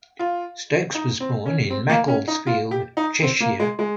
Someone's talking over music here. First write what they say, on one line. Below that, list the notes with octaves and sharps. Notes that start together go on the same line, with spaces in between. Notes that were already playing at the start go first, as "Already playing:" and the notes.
Stokes was born in Macclesfield, Cheshire.
F4
D#4
C4
C#4
C4
A#3
C#4
D#4
F4
G4
D#4
C4
A#3
G#3
G#3